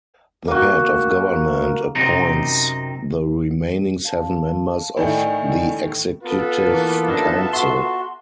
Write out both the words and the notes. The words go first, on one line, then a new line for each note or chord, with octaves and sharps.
The Head of Government appoints the remaining seven members of the Executive Council.
A#3 F#4
F#2 C3 C4 D#4
F5 A5
A2 D#3 A3 D5 D#5 G#5
B3 F4 A4 B4
E3 A#3
F#3 D4 D#4 E5 A5
F#4 C6